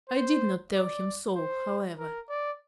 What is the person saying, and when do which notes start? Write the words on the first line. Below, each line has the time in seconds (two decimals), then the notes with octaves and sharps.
I did not tell him so however.
0.09 C5
0.72 D5
1.36 C5
1.98 A#4
2.29 D5